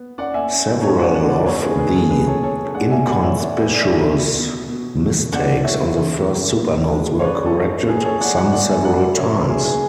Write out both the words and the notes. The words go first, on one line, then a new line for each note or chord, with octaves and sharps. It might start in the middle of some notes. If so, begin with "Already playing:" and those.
Several of the inconspicuous "mistakes" on the first supernotes were corrected, some several times.
Already playing: B3
C#4 D5 F#5
E5 G#5
C#4
C#4 A4 C#5
D5 F#5
C#4 D5 F#5
B4 D5
E2 A4 C#5
G#4 B4
B2 G#4 B4
A4
B2 G#4 B4
A4 C#5
B2 A4 C#5
G#3 D5 F#5
E5 G#5
A2 D5 F#5
C#5 E5
A2 D5 F#5
B4 D5
B3 D5
C#5 E5
B2
B2
B2
B2
C#3 D5 F#5
E3 C#5 E5
C#3
C#3
G#2
G#3
C#5
C#4 B4 D5
A4
C#4
G#2 G#4 B4
A4 C#5
E3 D5 F#5
D5 F#5
B3 D5 F#5
E5 G#5
G#2 D5 F#5
C#3 C#5 E5
E5
B4 D5
C#3 G#4
G#4 B4